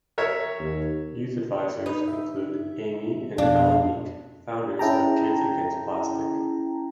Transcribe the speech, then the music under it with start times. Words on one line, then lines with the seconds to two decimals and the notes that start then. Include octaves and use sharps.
Youth Advisors include Amy and Ella Meek founders of Kids Against Plastic.
0.18 A#4 C#5 E5
0.59 D#2
1.86 D#4 B4
2.08 E5
3.38 F2 B2 D4 F5
4.79 C#4 E4 G#4 G5 A5 A#5